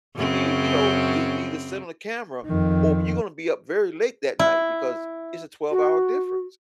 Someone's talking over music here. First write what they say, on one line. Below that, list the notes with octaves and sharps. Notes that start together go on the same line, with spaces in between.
to be, you know, to either sit on the camera, or b you're gonna be up very late that night because it's a twelve-hour difference-
F#2 C#3 C4
F2 D#3
E4
F#4